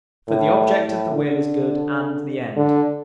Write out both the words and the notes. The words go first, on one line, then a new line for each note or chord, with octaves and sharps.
For the object of the will is good and the end.
A2
A2
D3
D3